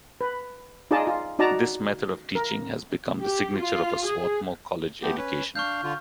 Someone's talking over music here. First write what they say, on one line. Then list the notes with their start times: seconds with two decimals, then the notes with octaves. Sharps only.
This method of teaching has become the signature of a Swarthmore College education.
0.21 B4
0.91 D#4 F4 G#4 D5 D#5 A5
1.07 F4
1.39 D#4 F#4 D5 A5 A#5
2.35 A#4
3.20 G4
3.56 F4
4.05 G#4
5.02 A3 B3 G4
5.17 C#4 B4
5.55 D4 F5 C#6 F6 G6
5.83 D3 F4